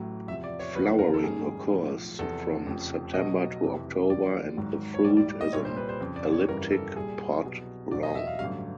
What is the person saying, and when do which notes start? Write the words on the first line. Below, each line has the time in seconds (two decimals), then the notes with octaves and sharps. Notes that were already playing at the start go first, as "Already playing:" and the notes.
Flowering occurs from September to October and the fruit is an elliptic pod long.
Already playing: A1 A2 F#3
0.28 E2 C3 F3 E5
0.44 D5
0.59 C#5
0.75 F#1 E2 C#3 F3 B4
0.99 A#4
1.14 A4
1.23 G#1 F#2 D#3 G3 G#4
1.71 B1 A2 F3
2.19 E2 C3 F3 A4
2.66 F1 F2 C#3 F3
3.14 B1 B2 F#3 D#5
3.62 F1 F2 C3 E3
4.09 D#2 D3 F3 D5
4.57 G#1 G#2 D#3 F#3
4.94 C#5
5.05 A#1 G#2 E3 G3 D5
5.17 D5
5.29 D5
5.41 D#5
5.52 C2 A#2 G3 C#5
5.65 C5
5.76 B4
5.89 C5
6.00 F2 C#3 F3
6.16 D5
6.32 C#5
6.48 G1 F2 C#3 E3 G3 A#4
6.72 A4
6.96 C2 A#2 G3 G#4
7.43 C2 B2 F#3
7.91 E2 B2 F#3 D5
8.03 D#5
8.15 E5
8.27 F5
8.39 A1 G2 D3 F#3 F5